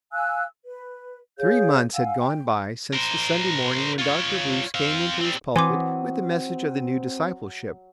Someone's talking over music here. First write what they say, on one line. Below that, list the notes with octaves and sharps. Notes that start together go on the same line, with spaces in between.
THREE months had gone by since the Sunday morning when Dr. Bruce came into his pulpit with the message of the new discipleship.
F5 G#5 E6 F#6
B4
G#4 C#5 F5 G6
F5 F#5 G#5 E6
G5
A#4 C5
F4 C#5
C4 F5
G3 C4
E3 F#3 C4 G#5 C6 D6 D#6